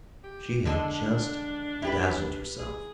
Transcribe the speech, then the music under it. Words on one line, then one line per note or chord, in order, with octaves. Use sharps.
She had just dazzled herself.
G4
D3 G#3 D4 A4
E4 G4 B4
G#4